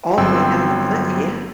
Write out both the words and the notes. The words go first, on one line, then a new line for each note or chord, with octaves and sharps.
All the way down the cliff, yeah.
G1 F#3 C4 G5 C6 E6